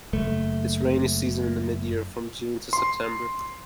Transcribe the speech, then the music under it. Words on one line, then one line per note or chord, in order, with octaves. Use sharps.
Its rainy season is in mid-year, from June to September.
F#1 A3
C6